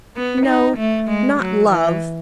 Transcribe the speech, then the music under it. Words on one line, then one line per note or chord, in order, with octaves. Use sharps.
No: not love.
B3
D#4
A3
G#3
F#3
E3